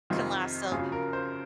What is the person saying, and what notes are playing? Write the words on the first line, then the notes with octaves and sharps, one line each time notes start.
can last so l
F2 C3 D#3 F4
F#2 C#3 F3 G#4
A#4
C5